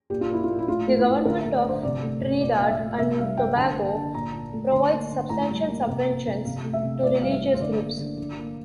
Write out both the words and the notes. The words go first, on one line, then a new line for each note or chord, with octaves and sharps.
The Government of Trinidad and Tobago provides substantial subventions to religious groups.
A#2 G4
F4
A#3 E4
F4
A#2
E4
A2 F4
A3
E4
A2
D3 A#4
A3 E5
D5
D3 C5
C3 D5
A3
C3
A#2 D5
A#2 F5
E5
A3
C3 E5
G3 F5
A#3 G5
D3 A5
A#3
D3
A#2 A#5
A#2
A3
D3 C6
A#3
D3
A2 A#5
G3
A#3
C3
A#3
C3
C3 F5
A3
E5
C3
A2 D5
G3 F5
E5
A2
C5
D3 D5
A#3
D3
D3
A#3